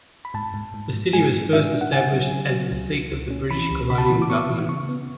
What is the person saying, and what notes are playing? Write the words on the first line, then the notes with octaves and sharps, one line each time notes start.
The city was first established as the seat of the British colonial government.
B5
G#2 A5
G#2
G#2
G#2
G#3 G#5
G#2
D4 E5
D4
F#5
C#3 G#5
F#3
C#3
F#3
C#2
C#2
C#2
C#4
E3 B5
C#2
C#3 B5
A5
B5
E3
D6
B3 C#6
E3
C#3 C#6
B3